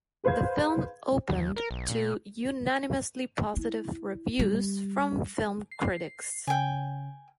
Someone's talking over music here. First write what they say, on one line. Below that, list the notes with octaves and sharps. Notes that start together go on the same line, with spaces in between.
The film opened to unanimously positive reviews from film critics.
G#4 B4 C5 F5 G#6
D#2
A#4
B1
A#2
E4
G3
C7
C#3 G5 G#5